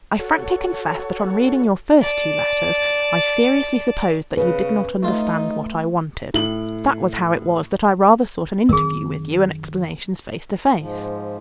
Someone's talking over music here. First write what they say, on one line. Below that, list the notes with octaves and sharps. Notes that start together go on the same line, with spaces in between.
I frankly confess that on reading your first two letters I seriously supposed that you did not understand what I wanted; that was how it was that I rather sought an interview with you and explanations face to face.
F#4 A4 C#5
D5 A5
C#3 B4
A3 D#4 F4
A2 F#7
F#2 D#3 C4 G#4 A#4
G#2 F3